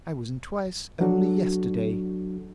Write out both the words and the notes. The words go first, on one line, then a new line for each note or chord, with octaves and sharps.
I was in twice only yesterday.
F#3 D4 F#4 A4